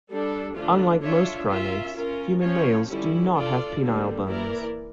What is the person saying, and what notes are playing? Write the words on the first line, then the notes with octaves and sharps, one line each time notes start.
Unlike most primates, human males do not have penile bones.
G3 D4 A4
D3 F3 A3 D4 F4
D4 F4 C#5 E5
C#4 F4 A#4 E5
C#4 F4 A#4
F3 C#4 F4 C#5
D3 G3 C#4 E4
D4 F4 A4 D5
D3 G3 A#3 D4
E3 A#3 E4 A#4 D5